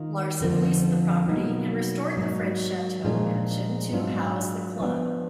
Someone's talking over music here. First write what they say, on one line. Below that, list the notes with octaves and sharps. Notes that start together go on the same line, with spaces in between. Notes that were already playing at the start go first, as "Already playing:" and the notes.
Larsen leased the property and restored the French Chateau mansion to house the club.
Already playing: D#3 A#3 F4
F2 D3 F3
B2 F#3 A#3 D#4
G#2 F#3 A#3
A#2 F3 G#3 D4 F4
G#2 F#3 D4 F4
F3 B3 D4